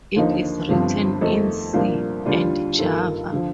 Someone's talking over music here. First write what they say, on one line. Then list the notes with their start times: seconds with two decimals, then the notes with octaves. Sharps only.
It is written in C and Java.
0.16 D#2 D3 F3 A#3 D#4
0.68 G1 G2 D3 F3 C4
1.21 F2 D#3 A3 D#4 A4
1.73 C2 A#2 F3 A#3 D4
2.26 D#2 D3 G3 D4 F4
2.78 G2 D#3 A#3 F4 A4
3.33 D3 F3